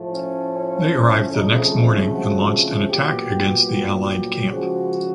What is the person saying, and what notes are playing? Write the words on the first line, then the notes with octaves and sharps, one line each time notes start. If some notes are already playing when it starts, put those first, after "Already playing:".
They arrived the next morning and launched an attack against the allied camp.
Already playing: A2 F3 A3
C#4
C#4
F2 C#3 F3 A3 D#4
F#4
A#2 F#3 B3 G4
G4
C#3 F3 G#3 F#4